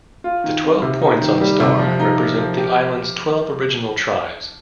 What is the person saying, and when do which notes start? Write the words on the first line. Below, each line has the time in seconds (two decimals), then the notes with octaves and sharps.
The twelve points on the star represent the island's twelve original tribes.
0.24 F4
0.44 D#3
0.63 C4
0.82 C3
1.01 D#4
1.22 D#3
1.41 G3
1.60 C3
1.79 F3
2.00 D#4
2.18 A#4
2.38 F3
2.57 G4